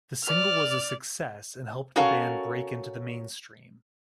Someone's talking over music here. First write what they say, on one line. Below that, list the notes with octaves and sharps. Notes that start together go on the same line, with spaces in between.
The single was a success and helped the band break into the mainstream.
D5 F6
C#4 F#4 A4 A#4 C#5 F5